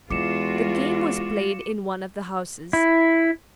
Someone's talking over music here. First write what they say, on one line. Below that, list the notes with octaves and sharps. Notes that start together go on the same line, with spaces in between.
The game was played in one of the houses.
E2 G#3 F4 F#4 D6 C#7 E7
E4